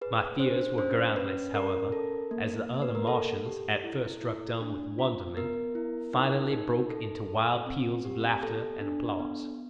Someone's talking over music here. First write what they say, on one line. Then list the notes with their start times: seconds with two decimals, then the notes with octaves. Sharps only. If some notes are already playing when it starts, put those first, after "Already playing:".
My fears were groundless, however, as the other Martians, at first struck dumb with wonderment, finally broke into wild peals of laughter and applause.
0.01 G#4 B4
0.40 D4 C5
0.78 C#4 C5
1.16 C#4 B4
1.54 C#4 A#4
1.92 A4
2.31 A#3
2.69 A#3
2.82 B4
2.95 A#4
3.07 A#3 A4
3.45 G4
3.84 E4
4.22 E4
4.60 D4
4.99 F4
5.37 B3 A#4
5.75 E4
6.13 D#4
6.52 D#4
6.89 A4
7.28 A4
7.66 C4
8.05 G4
8.43 B3 A4
8.81 D4
9.19 B3